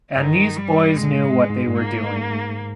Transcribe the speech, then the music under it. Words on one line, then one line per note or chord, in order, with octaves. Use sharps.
And these boys knew what they were doing.
G2 D#3
G3
A#2 G#3
G#2
G#2
G2
G#2
G#2 A#3
G#2
G#2